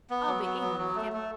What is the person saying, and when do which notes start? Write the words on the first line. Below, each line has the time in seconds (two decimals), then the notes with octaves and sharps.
I'll be even with him.
0.10 B3
0.27 F#3
0.44 B3
0.62 F#3
0.78 F#3
0.96 A3
1.13 A3